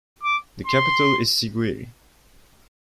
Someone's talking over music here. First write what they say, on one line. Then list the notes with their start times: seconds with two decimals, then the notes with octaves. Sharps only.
The capital is Siguiri.
0.23 D6
0.66 C6